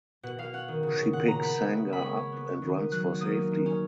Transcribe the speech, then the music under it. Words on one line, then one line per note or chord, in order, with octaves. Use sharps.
She picks Sangha up and runs for safety.
B2 F#5
B2 F5
C#4 F#5
D#3
C#3
C#3
A#2 F#5
A#2 A#5
B3 B5
B3
C#3
A#3
B5
G#3 C#6
C#4
B3
B3
D#3
B3
F#3 F#6
C#4
A#3 D#6
D#4
D#3
C#4